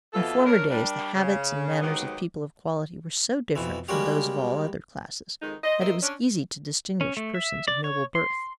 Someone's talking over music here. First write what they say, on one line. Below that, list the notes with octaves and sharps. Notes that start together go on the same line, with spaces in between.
In former days the habits and manners of people of quality were so different from those of all other classes that it was easy to distinguish persons of noble birth.
F2 B2 E3 F4 A4
D4 A#4 C#5
G3 D4 A#4
C#3
G#2 D#3 F#3 G#3 B3 G4
F2 B2 E3
G3 G#3 A#3 C#4 F#4 G4
F2 D#3 G#3 D#4
C5 D#5
A4 A#4 C5 D#5 E5
C#4 D4
C#4
A3
E5
D5
C#5
C6